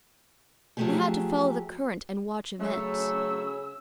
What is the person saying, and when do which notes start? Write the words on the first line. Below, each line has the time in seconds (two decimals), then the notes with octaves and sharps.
I had to follow the current and watch events.
0.77 F3 F#3 G#3 A3 G4 G#4
2.59 C#3 F#3 A3 C#4 E6